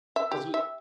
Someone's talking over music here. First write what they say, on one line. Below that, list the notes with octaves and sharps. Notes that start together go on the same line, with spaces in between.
'Cause we
E5
G4
E5